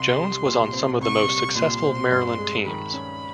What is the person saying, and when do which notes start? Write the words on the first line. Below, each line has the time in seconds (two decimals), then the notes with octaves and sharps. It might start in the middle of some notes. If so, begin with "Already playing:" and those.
Jones was on some of the most successful Maryland teams.
Already playing: C2 C6
0.18 G3
0.46 A#2
0.73 C4
1.01 C2 C#6
1.29 G3
1.55 A#2 C6
1.83 C4
2.11 G2
2.38 G#3
2.66 D#3 B5
2.93 C#4